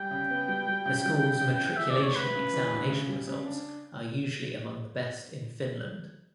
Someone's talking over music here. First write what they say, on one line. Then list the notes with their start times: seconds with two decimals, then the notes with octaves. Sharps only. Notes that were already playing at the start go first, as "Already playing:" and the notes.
The school's matriculation examination results are usually among the best in Finland.
Already playing: G3 G5
0.11 C#3
0.30 B3
0.48 G3
0.67 G3
0.86 C#3
1.05 G3
1.23 C#3
1.41 C#3
1.60 E3
1.76 E3 E5
1.90 D5
1.97 D2
2.03 C#5
2.15 D2 B4
2.35 C#3
2.53 E3
2.72 D2
2.90 C#3
3.09 G3
3.27 C#3
3.46 D4